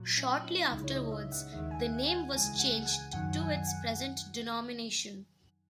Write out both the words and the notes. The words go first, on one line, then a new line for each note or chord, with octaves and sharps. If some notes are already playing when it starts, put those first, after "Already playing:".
Shortly afterwards, the name was changed to its present denomination.
Already playing: A#2 F#3
C#4
D#4
C#2 C#3 G#3 E4
C#5
D#5
E5
F#5
D#2 D#3 G#3 E5
G#5
F#5
G#5
C#2 C#3 E3 G#3 G#5
F#5
G#5
F#2 D#3 F#3 F#5
G#5
F#5